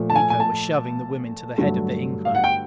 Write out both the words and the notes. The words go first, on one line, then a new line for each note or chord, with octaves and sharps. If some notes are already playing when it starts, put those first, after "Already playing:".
Miko was shoving the women to the head of the incline.
Already playing: A#2 F3 A3
A5
G#5
G#5
A5
G2 D3 F#3 A3 D4
F5
F#5
G5